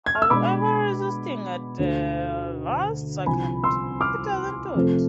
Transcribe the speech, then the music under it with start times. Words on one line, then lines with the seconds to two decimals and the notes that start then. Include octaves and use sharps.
However, resisting at the last second, he doesn't do it.
0.06 G#6
0.15 F6
0.22 E6
0.30 B2 G#3 D4 B5 D6
1.79 D2 D3 A3
3.26 C2 C3 F3 G#5 B5
3.64 C6 E6
4.01 D6 F6
4.75 F2 C3 F3 A3 C4